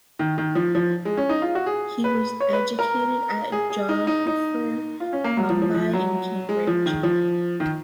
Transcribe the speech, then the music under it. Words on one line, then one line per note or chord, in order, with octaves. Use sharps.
He was educated at Jodhpur, Mumbai and Cambridge.
D#3
D#3
F3
F3
G#3
C#4
D#4
F4
F#4
G#4
B4
C#5
B4
A#4
G#4
G#4
D#4
D#4
D#4
F4
C#4
A#3
F#3
F3
F3
F3
F#3
G#3
F3
D#3
F3
D#3